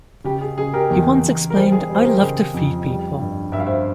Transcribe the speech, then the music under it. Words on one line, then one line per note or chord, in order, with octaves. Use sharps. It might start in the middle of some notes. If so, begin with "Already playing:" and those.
He once explained, I love to feed people.
C#3 G4
G#4
C#3 G#4
G4 A#4
E2
E2
A#4
G3 G#4 C5
G#4
G3
C5
G4 A#4
C#3 G#4
F2
G3
G2
G2 E5
F5
C5 E5